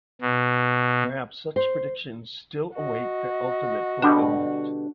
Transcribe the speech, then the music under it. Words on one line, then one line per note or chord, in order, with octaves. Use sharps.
Perhaps such predictions still await their ultimate fulfilment.
B2
C5
F#4 D#5
B2 D3 G3 D4